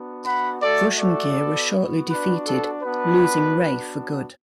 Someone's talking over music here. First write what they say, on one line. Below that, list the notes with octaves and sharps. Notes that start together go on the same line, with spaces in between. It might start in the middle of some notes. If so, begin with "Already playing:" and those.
Vushmgir was shortly defeated, losing Ray for good.
Already playing: B3 D4 F#4
F#5 B5
A3 F#4 A4 D5
A4 D5
B3 F#4
B3 D4 F#4 B4
A4
B3 D4 F#4 B4
B3 D4 F#4